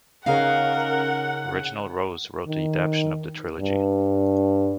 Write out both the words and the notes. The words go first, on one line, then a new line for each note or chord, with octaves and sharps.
Reginald Rose wrote the adaptation of the trilogy.
C#3 C#4 D#4 G#4 A#4 C#5 F5 F#5
D#3
G2